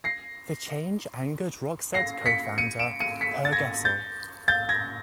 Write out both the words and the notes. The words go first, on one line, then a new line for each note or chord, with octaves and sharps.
The change angered Roxette co-founder Per Gessle.
A#6 C7
A#6 C7
B6 C#7
C#7 D#7
D7 E7
C#7 D#7
B6 C#7
A6
G#6 A#6
G6 A6
G6 A6
G#6 A#6